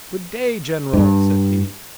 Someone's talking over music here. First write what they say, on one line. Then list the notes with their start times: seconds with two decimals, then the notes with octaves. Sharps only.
"Good day, General!" said he.
0.93 G2